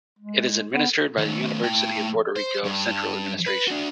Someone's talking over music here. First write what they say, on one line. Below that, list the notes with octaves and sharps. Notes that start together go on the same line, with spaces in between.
It is administered by the University of Puerto Rico, Central Administration.
G#3
B3
D#3 A3
A2 G5
C5
G2
B4
D4 F#4